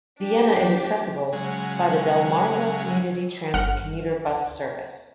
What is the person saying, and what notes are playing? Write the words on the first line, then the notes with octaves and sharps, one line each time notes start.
Vienna is accessible by the Delmarva Community Transit commuter bus service.
D4 G4
C#3 F#3 G#3
G1 F#5 F6